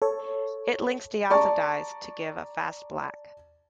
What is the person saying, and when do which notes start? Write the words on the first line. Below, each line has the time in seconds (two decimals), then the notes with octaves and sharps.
It links diazo dyes to give a fast black.
0.02 A4 C#5
1.30 D5 A5 A#5 C#6